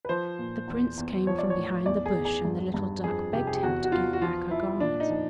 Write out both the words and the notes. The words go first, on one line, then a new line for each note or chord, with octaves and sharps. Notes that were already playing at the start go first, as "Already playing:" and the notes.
The Prince came from behind the bush and the little duck begged him to give back her garment.
B4
F3 C5
A#2
E2
E2
F3 C#5
D5
C#5
A2
E2 D5
G#4
E2
G#4
G2
G2
F2 G#4
C3 G4
G#4
G4
E2 F#4
F#4
E2 F4
F#4
F3 F4
F3 E4
A#2 D4
D#4
F3